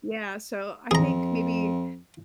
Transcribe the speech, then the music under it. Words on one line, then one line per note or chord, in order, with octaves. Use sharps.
yeah, so I think maybe
F2 G#4 A#5